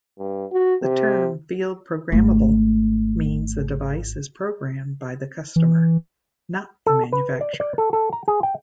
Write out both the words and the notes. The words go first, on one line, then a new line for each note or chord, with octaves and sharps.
The term "field-programmable" means the device is programmed by the customer, not the manufacturer.
G2
F#4
C3
G#1 A3
E3
A4
B4
D5
D5
A4
A4
A#5
G#4
G5